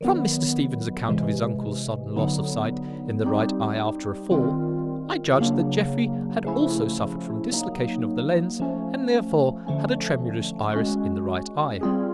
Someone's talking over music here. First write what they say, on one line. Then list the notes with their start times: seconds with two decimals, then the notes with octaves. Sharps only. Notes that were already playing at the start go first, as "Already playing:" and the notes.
But from Mr. Stephen's account of his uncle's sudden loss of sight in the right eye after a fall, I judged that Jeffrey had also suffered from dislocation of the lens and therefore had a tremulous iris in the right eye.
0.01 D#3 F#3 B3
1.09 C3 E3 G#3
2.16 D3 F#3 B3 D#4
3.23 G3 C4 D#4 G4
4.30 D#3 G3 C4 F4
5.37 C#3 F#3 A#3 D4
6.44 C#3 F3 A3 C#4 E4
7.52 F#3 A#3 D#4
8.60 F3 A3 C#4
9.67 D3 F3 A3 C#4
10.73 G#3 C#4 F#4
11.81 G3 C4 F4 G#4